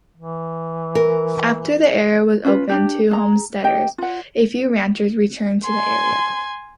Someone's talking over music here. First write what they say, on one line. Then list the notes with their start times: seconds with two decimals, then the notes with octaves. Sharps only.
After the area was opened to homesteaders a few ranchers returned to the area.
0.17 E3
0.95 A#4
2.45 C#4 F4 B4
2.69 D4 D#4 G4
3.11 G#4 A#5
3.64 G4 D#5 G5
3.98 F4 F#5
5.64 G#5 C6